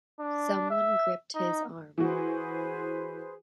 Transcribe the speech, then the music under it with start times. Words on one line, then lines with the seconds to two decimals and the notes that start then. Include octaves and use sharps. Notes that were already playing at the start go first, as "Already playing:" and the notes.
Someone gripped his arm.
0.19 D4
0.71 E5
1.35 D#4
1.98 E3 F#4 G#4 B4 C5